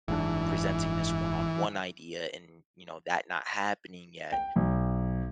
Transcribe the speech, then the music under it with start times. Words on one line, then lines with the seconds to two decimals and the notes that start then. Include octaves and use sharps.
presenting this one-on-one idea and, you know, that not happening yet,
0.08 F#1 G#2 E3 D4
4.32 G5
4.56 B1